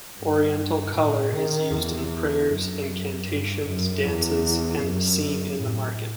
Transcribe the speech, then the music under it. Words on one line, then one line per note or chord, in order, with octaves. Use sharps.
Oriental colour is used in prayers, incantations, dances and the scene in the market.
G2
A2
D#3
E2
F#2
G2
F#2
E2
F#2
A2